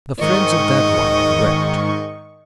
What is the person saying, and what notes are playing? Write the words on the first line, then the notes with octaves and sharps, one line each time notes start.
The friends of that one wept.
G#2 D#3 D#5 C#6